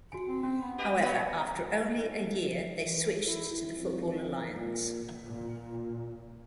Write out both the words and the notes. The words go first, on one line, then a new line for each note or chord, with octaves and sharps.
However, after only a year they switched to the Football Alliance.
F#4 G#5
C4
C4 C#4
B3
G4 B4 D#5
F3 B3 B4 C#5
F3
E3
E4
F2
A#2
A#2